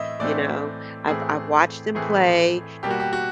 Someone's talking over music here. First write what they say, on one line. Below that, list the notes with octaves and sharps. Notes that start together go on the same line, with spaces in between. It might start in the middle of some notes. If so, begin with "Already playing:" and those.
you know? I've I've watched them play,
Already playing: A2 E3 C4 D#5 E5
A2 E3 A3 C4 D5
A2 E3 A3 C4 G#4
A2 E3 A3 C4 G#4
B2 G3 A#3 G4
F#4
G4
F#4